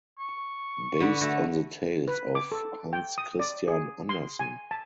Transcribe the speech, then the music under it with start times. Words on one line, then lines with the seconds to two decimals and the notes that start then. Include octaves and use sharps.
Based on the tales of Hans Christian Andersen.
0.19 C#6
1.00 D3 B4
1.21 D3 A3 F#4
2.08 B4
2.35 D6
2.52 A4
2.93 G5
3.18 D#6
3.39 D5
3.68 G#4
4.09 C6
4.39 G#5
4.71 A5